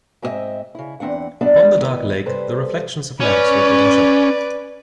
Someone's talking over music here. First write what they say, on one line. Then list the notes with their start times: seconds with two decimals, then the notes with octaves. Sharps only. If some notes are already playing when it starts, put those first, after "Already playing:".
Upon the dark lake the reflections of lamps rippled and shook.
0.22 G#2 C4 F4 F#4 D#5 E5
0.75 C#3 E4
1.00 E2 C4 D4 F#5
1.41 G3 B3 D4 D5 E5
1.80 D#3 B3 E4 D#5
2.26 C3 G3 A4 B4 C5
3.21 C#4 B4 D5